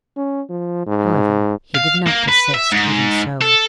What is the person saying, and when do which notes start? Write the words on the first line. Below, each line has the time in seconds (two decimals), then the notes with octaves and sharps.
However, he did not desist even so.
0.17 C#4
0.50 F3
0.86 G#2
1.75 F5
2.06 A#3
2.28 B4
2.54 E5
2.72 G#2
3.42 A4